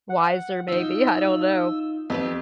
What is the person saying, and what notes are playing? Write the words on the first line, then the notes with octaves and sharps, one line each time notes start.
wiser, maybe, I don't know
F#5
D#4 F4 E6
F2 B3 G4 B4